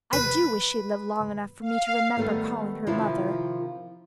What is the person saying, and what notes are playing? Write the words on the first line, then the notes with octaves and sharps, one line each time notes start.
I do wish she'd lived long enough for me to remember calling her mother.
B4
F5
D#3 G3 A3 B3
C3 D#3 F3 C4 E4 F4